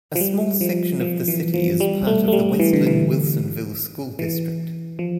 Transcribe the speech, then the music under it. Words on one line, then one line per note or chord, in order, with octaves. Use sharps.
A small section of the city is part of the West Linn-Wilsonville School District.
F3
G3
F3
F3
E3
F3
G3
A3
A3
G3
E3
D3
E3
E3
F3